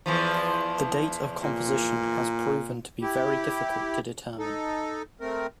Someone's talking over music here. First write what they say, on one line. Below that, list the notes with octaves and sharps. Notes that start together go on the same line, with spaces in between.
The date of composition has proven to be very difficult to determine.
E2 E3 F3
A#2
E4 G4
D#4 A4
A3 C4 A#4